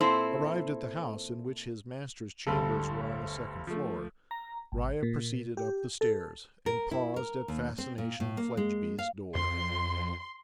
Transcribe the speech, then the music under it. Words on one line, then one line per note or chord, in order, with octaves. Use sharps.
Arrived at the house in which his master's chambers were on the second floor, Riah proceeded up the stairs, and paused at Fascination Fledgeby's door.
A#2 C4 E4 A4 C5
G1 D2 G3 A4
F3 A3
A#5
G#1
A#2
G4
A4
A#4
E4
A#4
D#2
C4
A#2
A2
A#3
G#3
F5
F2 C6